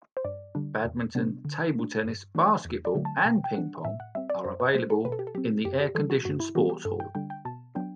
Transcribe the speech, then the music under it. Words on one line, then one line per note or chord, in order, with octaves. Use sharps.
Badminton, table tennis, basketball and ping pong are available in the air-conditioned sports hall.
C5
G2 D5
D3 G3 D4
E2
C3 G3 B3 D4
D3
A3 D4
G2
E3 A3 D4
E2
D5
D3 F#3 A3
A5
B2 G5
G5
G3 D4 F#5
A2 E5
F#5
G3 C4 E5
D5
F#2 C5
B4
F#3 A3 C5
A4
B2 B4
A4
G4
A4
F#3 C4 G4
F#2 G4
G4
E3 G3 A4
F#4
G2 F#4
E4
E3 G3 B3 F#4
G4
G2 A4
G5
D3 G3 D4 G5
G5
B2 A5
F#3 B3 D4 G5